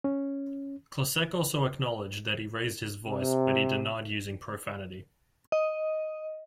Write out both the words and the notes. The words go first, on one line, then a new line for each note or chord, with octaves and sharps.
Klocek also acknowledged that he raised his voice, but he denied using profanity.
C#4
C3
D#5